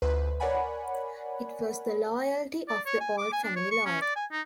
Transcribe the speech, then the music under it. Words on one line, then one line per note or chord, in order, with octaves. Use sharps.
It was the loyalty of the old family lawyer.
D2 B4 C5
A#4 C#5 D5 F#5 G#5 B5
D5
C#5
G#5
D6
G#5
D4
C#5
C#6
C#4
D5
G#5
D#4